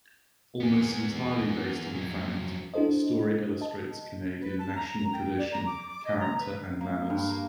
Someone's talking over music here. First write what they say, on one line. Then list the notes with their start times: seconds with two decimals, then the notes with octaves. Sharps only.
Almost entirely based on fact, the story illustrates Canadian national tradition, character and manners.
0.60 B3 G#4
1.95 F2 F#3
2.74 D4 E4 F#4 A4 C5 D#5
3.61 D#5 A5
4.42 B4
4.59 A5
4.75 A#5
5.13 G5
5.38 D5
5.52 A#5
5.66 D6
5.87 D6
6.05 D#5
6.19 A#5
6.39 B4
6.81 A#3
7.10 G2
7.30 A#3